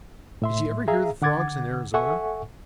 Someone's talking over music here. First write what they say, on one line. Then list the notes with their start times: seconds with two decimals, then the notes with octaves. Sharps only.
"Did you ever hear the frogs in Arizona?"
0.42 A2 E5 C6
0.88 G#4 E5 F5 A#5
1.22 D3 F#5 D6 G#6 A6
1.94 A4 E5 F#5 G#5 C#6